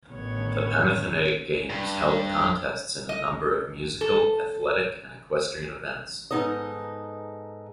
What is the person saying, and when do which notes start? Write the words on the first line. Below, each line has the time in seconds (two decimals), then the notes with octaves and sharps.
The Panathenaic Games held contests in a number of musical, athletic, and equestrian events.
0.11 A1 D3 D#3 B3 C#5
1.70 G2
3.09 D#5
4.01 A4
6.31 G#2 B2 B3 D#4 A4 D#5